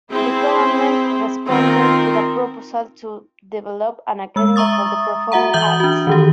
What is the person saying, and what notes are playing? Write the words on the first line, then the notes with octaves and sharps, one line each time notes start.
The government responded with a proposal to develop an academy for the performing arts.
C4 E4 G#4
D#3 C4 F4 A#4
G#3 E6
E5 A#5 C#6 D#6 A6
F#4 E5 F#5 A#5
E3 E5 D#6 G6 F#7 G7
D4 F#4
D#3 E3 G4